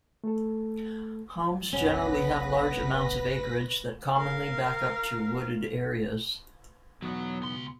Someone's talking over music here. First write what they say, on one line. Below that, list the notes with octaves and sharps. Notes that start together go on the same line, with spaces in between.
Homes generally have large amounts of acreage that commonly back up to wooded areas.
A3 A4
F#1 B1 B3 C#4 B4 A#6 B6
A#4 F5
B1 E2 B2 F#3 B3 F#4
C#2 C6